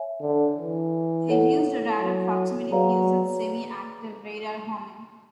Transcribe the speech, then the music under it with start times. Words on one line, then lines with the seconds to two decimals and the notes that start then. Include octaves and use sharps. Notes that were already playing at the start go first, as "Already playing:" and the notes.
It used a radar proximity fuze and semi-active radar homing.
Already playing: C#5 E5 G#5
0.21 D3
0.57 E3
1.29 E4 A4 C#5 F#5
2.01 F#3
2.72 F#3 G#4 B4 D5 F5 A#5